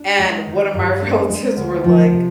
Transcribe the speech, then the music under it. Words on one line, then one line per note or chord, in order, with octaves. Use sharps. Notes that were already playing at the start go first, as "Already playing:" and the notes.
and one of my relatives were like,
Already playing: D4
G#3
D#3
G2
D4
G#3
D2
F3
C3